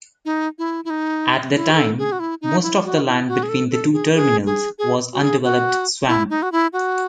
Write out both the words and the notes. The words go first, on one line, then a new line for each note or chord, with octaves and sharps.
At the time, most of the land between the two terminals was undeveloped swamp.
D#4
E4
E4
D#4
E4
B4
A4
G#4
F#4
E4
D#4
E4
F#4
E4
F#4
G#4
A4
A4
G#4
G#4
G#4
G#4
F#4
G#4
F#4
E4
D#4
F#4
E4
F#4